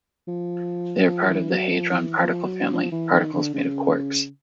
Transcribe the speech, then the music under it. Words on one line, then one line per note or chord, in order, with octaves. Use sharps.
They are part of the hadron particle family - particles made of quarks.
F3
F3
E3
F#3
F3
E3
F3
F#3
F3
E3
D#3
D3
C#3